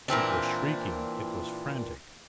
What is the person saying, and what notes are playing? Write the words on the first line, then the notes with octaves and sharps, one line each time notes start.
It was shrieking, it was frantic!
A#2 E3 C4 D4